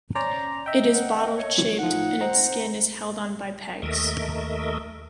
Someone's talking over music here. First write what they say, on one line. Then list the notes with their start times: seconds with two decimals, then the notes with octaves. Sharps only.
It is bottle shaped and its skin is held on by pegs.
0.15 C#4 C5 D5 A#5
0.66 D#5 E5 G5
0.93 F#5
1.38 C#5
1.79 A2 F3 D#4 F#5
2.21 C4 D#4 C5 A#5
3.82 D#2 A3 A#4 D#5 E5